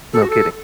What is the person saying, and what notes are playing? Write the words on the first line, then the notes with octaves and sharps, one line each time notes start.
No kidding.
A4
F#4
A4